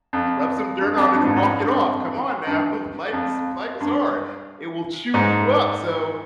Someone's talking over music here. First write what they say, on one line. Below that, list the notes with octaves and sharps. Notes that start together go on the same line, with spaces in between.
Rub some dirt on it and walk it off, come on now. Life is life is hard. It will chew you up, so
F2
G2
F2
G2
G#2
G#2
G2
F2
G2
F2
G2
G#2